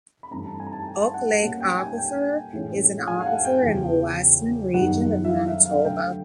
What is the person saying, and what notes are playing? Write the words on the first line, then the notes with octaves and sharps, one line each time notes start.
Oak Lake Aquifer is an aquifer in the Westman Region of Manitoba.
B5
G2 E3 A3 C4 A#5
A5
G#5
A#5
A5
G5
F#5
A#2 G3 A#3 C#4 F#5
G5
G#5
G5
A2 E3 G#3 C#4
G#5
F5
F#5
G5
E2 C#3 F3
F#2 D#3 G3 B3 F#5
E5
F5
E5
F5
D3 F#3 A3 G5